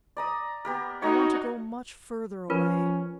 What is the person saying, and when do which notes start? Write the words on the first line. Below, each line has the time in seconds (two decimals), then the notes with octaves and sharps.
I want to go much further away.
0.17 D5 A#5 D#6
0.65 B3 G4 A#4
1.02 D#4 F#4 C#5 G#5 A#5
2.50 F3 C#4 F4 A#4 B4